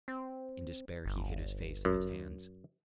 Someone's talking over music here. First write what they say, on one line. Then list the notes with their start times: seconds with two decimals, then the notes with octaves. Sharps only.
In despair he hid his face in his hands.
0.08 C4
1.06 G1
1.85 F#2